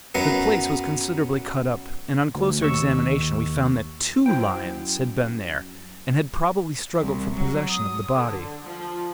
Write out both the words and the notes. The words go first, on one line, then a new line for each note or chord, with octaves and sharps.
The place was considerably cut up, and on closer examination we found that two lions had been there and had probably struggled for possession of the body.
F#2 F#3 B3 A#4
D2
D#2 C#6 E6
F#2 E4 C5 G5
C2
F#3
D#6
D3
F3